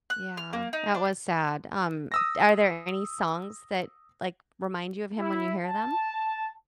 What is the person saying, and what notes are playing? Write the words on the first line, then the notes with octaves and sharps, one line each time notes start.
yeah, that was sad. Um, are there any songs that, like, remind you of him when you hear them?
F#6
F6
A#3
D#4
D4
D#6 E6 A#6
E4
A5